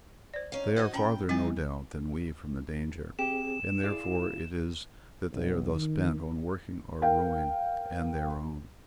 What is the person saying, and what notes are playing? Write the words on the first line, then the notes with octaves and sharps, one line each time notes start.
They are farther, no doubt, than we from the danger; and therefore it is that they are thus bent on working our ruin and their own.
C5 D5
C#4 D#4 F5
D#4 F#4 C5 D#5
A#2 C#4 G5 A#5 B5
E3 G3 C4 D#4 F4
C4 G4 G#4 E7
E4 G#4 D5 F5
B1
D#3
A#4 F5 G5